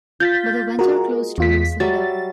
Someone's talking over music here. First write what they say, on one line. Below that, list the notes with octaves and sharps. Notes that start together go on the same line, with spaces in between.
But the venture closed two years later.
F4 G6 A6 B6
G#3 F#4 A#4
E2 F4 B6
F#3 G3 E5 A6